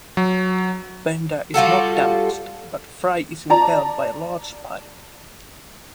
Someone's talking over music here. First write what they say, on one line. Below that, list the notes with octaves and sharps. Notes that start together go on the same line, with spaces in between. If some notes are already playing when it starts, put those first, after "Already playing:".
Bender is not damaged, but Fry is impaled by a large pipe.
F#3
G3 F4 F#4 A4
D5 A5 A#5